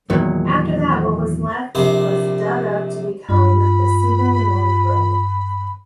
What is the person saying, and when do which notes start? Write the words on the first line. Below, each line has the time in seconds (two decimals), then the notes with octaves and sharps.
After that, what was left was dug up to become the Cebu North Road.
0.10 E2 A#2 D#3 F#3
1.75 A#1 C3 C5
3.29 G2 F4 B5